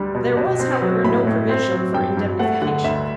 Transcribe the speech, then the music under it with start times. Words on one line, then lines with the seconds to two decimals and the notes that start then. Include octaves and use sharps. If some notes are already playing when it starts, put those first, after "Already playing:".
There was, however, no provision for indemnification.
Already playing: D2 G3 D4
0.15 B2
0.37 B2
0.59 C4
0.82 F#3
1.04 A2 B5
1.27 A2
1.49 C4
1.72 F#3
1.94 G2 G5
2.17 G2
2.39 A3 F#5
2.62 D3 F#5
2.84 D2 E5